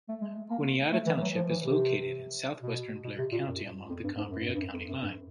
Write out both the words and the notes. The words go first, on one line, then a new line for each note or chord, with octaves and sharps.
Juniata Township is located in southwestern Blair County, along the Cambria County line.
A3
G#3
A#3
A3
E3
F#3
F3
E3
C3
B2
B2
C3
A#2
F#2
F2
G2
G#2
F#2
G2
F#2
G2
F#2
F2
F#2
G2